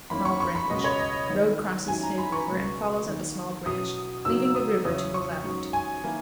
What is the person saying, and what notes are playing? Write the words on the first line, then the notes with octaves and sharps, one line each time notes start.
Small Branch.--Road crosses Snake River, and follows up a small branch, leaving the river to the left.
E2 D#3 A#3 C#4 E4 B5
C#6
C#6
B5
C#2 B2 G#3 B3 F#4 D#5
C#5
D#5
D#2 D#3 G#3 B3 E4
G#2 D#3 F#3 C#4 E4 G#5
A#5
B5
C#6
C#2 B2 G#3
D#2 D#3 A#3
B2 F#3 C#4 E4 D#6
C#3 F#3 A#3 D#4 F#4 E6
D#6
E2 C#3 F#3 C#4 E4 D#6
C#6
G#2 F#3 C#4
G#5
D#3 A#3 E4